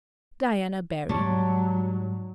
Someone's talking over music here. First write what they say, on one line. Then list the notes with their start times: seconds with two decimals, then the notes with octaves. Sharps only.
Diana Barry.
1.09 G#2 F#3 G3 C#5 D5 A5